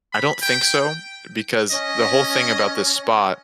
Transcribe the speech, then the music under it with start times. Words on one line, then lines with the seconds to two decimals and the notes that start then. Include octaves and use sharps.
I don't think so, because the whole thing about this spot,
0.12 B5
0.42 G5
1.71 C#4 D#5